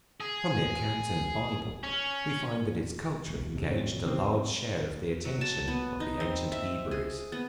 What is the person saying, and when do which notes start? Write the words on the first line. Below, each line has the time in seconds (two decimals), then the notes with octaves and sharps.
From the accounts in the Bible, we find that its culture engaged a large share of the attention of the ancient Hebrews.
0.20 G#4
1.83 C#4
3.28 E1
3.55 D#1 C3
3.70 G#2 G#3 C4 C#4
3.89 E2 B2
4.04 F#1 C3 E3 C4
4.29 C4
5.25 F#3
5.41 A5
5.68 B3
6.00 D#4
6.20 C4
6.52 E5
6.91 G#4
7.32 B3